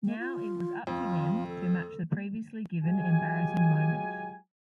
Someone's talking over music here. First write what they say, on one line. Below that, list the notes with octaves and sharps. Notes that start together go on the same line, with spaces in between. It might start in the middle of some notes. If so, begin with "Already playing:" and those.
Now it was up to them to match the previously-given embarrassing moment.
A#3
F4
F2 F3
A4
F#3 G#3 F4 G4 G#5